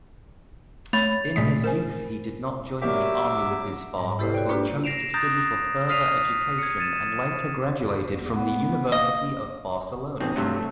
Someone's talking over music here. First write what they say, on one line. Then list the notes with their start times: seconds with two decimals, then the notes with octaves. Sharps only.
In his youth, he did not join the army with his father, but chose to study for further education, and later graduated from the University of Barcelona.
0.93 A3 C#5 B5 A6 F7
1.36 A#2 G#3 A3 G#4 B6
1.64 A#4 C5 G#5
2.82 F#3 G3 A#3 G4 E5 D6
3.98 G#2 G3
4.19 E4 G4 A4 B4 C5
4.33 F#4 C#5 D5 G5
4.49 A#3 D4 F4 G4 B4
4.84 A#6 C7 D7 E7 F7
5.14 A#5 D#6 F#6 G6 A6 A#6
5.89 D#6 F6 B6 C7 D#7 F7
6.59 G#6 C#7
6.78 G#6 A6 D#7 E7
7.80 F2
8.09 E2
8.35 B3
8.92 A#3 D#5
10.20 A1 B2 C4 D#4
10.36 G2 C3 F#3 A3